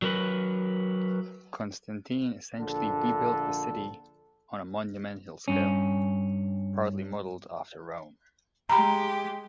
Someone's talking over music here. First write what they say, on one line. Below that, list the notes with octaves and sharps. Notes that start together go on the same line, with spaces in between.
Constantine essentially rebuilt the city on a monumental scale, partly modelled after Rome.
F#3 A#4 B4
A#1 D3 A4
G2 C#4
G#3 G4 A#5 B5